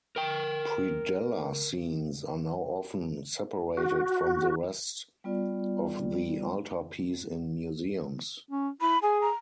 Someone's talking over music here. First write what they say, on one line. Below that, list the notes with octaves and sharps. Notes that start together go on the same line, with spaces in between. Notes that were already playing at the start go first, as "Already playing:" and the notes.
Predella scenes are now often separated from the rest of the altarpiece in museums.
A#4 G5
F#4
G3 B3 F4 D5
C#4
E4 B5
G#4 G#5
A#5